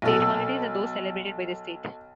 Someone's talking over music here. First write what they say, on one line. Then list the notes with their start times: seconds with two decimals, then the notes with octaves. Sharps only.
State holidays are those celebrated by the state.
0.02 B1 A4